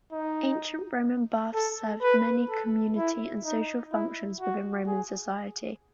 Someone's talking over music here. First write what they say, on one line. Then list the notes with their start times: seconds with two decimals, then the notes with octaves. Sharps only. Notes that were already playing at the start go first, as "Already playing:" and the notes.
Ancient Roman baths served many community and social functions within Roman society.
0.12 D#4
1.54 A4
2.02 B4
2.49 A4
2.97 E4
3.45 D#4
3.93 E4
4.40 F#4
4.87 G#4